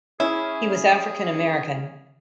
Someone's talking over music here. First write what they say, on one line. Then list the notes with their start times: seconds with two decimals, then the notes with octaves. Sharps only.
He was African American.
0.20 C#4 E4 G#4